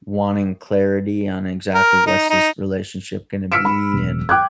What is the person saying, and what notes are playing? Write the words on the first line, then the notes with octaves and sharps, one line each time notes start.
wanting clarity on exactly what's this relationship gonna be, and,
A#4
D#4
D#4
E6 F6 B6 C#7 D7 E7
B5
E1
G5 D6 F#6 G#6